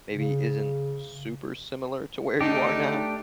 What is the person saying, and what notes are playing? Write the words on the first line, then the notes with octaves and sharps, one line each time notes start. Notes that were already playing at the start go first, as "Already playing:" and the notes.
maybe isn't super similar to where you are now.
C#3
A3 D4 D#4 G4